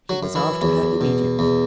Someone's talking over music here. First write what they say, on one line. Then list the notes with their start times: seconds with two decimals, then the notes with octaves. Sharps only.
He was after her immediately.
0.09 F#3 F#4
0.23 F#2
0.35 E3 E4
0.62 E2
1.01 B2
1.39 E2